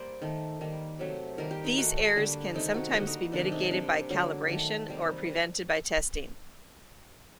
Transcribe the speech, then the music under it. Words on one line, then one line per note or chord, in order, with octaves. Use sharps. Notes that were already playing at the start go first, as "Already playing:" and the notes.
These errors can sometimes be mitigated by calibration, or prevented by testing.
Already playing: G3 A#3 C5 D5
D#3 A3
D#3 G3 A#3
C3 F#3 A3
D#3 G3 A#3 A#4
G4
D#4
D#3 A3 F#4
D3 G3 A#3
C3 D#3 A3 D#4
F#4
D3 G3 A#3 F#4
D#4
C3 D#3 A3 D4
D#4
C3 G3 A#3 D4
D3 F#3 A#3
D#3 A3
C3 G3 A#3